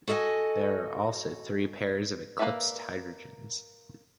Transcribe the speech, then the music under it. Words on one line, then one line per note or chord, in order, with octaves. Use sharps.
There are also three pairs of eclipsed hydrogens.
F#4 A4 D#5 E5 G#5
A#3 D#4 B4 D5 E5